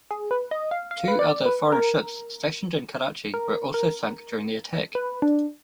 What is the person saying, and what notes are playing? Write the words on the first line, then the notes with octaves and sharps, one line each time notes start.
Two other foreign ships stationed in Karachi were also sunk during the attack.
G#4
B4
D#5
F5
F5
B4
D5
B4
A#4
A#4
A#4
B4
D4